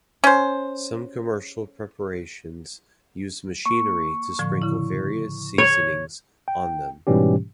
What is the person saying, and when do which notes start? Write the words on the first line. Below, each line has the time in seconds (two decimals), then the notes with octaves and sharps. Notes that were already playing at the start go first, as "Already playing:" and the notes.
Some commercial preparations use machinery to sprinkle various seasonings on them.
0.24 C#4 C5
3.66 A#3 C#6
4.39 A2 D3 F3
4.62 C#3 E4
5.58 C#5
6.48 G5
7.07 G#2 B2 E3 G3 C#4 G4